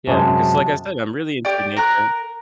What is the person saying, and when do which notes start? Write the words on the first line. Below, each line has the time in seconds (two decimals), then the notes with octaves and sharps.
Yeah, because like, I said, I'm really into nature.
0.08 F#2 C3 G#3 A5
1.45 G4 D5
1.77 A#4 A#5 F#6